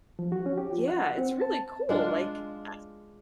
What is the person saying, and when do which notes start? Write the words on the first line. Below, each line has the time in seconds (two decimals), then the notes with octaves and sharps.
yeah, it's really cool, like, I
0.19 F3
0.32 F#4
0.46 C#4
0.58 G4
0.72 F3
0.88 F#5
1.18 C4
1.41 A5
1.89 G#3 D4 F4